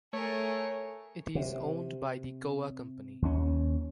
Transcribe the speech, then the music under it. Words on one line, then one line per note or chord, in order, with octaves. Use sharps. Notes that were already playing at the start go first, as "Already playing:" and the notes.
It is owned by the Kowa Company.
A3 G#4 A#4 C#5
C3
D#2 C#4